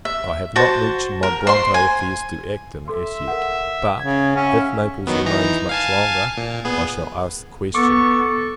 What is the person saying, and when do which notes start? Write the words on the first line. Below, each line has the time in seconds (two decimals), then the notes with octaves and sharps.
I have not mentioned my Bronte affairs to Acton, as yet; but, if Naples remains much longer, I shall ask the question.
0.05 E5
0.56 F#4 C5 A5
1.23 A#4
1.47 C5 C6
1.74 G#5
2.88 A4 E5 C6
3.28 A#4 F#5
4.00 C#3 G#6
4.35 C#4 E5 F#5
5.07 D#3 F#3 B3
5.26 E3 D#4 A#5
5.69 F5 G#5 A5
6.37 A#2
6.65 B3 G#4
7.75 B3 A4 C#6 D6